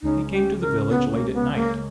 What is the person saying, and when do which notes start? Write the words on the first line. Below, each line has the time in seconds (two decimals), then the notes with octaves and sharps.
He came to the village late at night.
0.02 C#2 C#3 G#3 C#4 D#4
0.32 G4
0.61 A#4
0.89 B3
1.11 A#3
1.34 B3
1.55 A#3